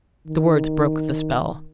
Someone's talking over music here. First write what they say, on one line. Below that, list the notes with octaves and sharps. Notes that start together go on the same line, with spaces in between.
The words broke the spell.
D#3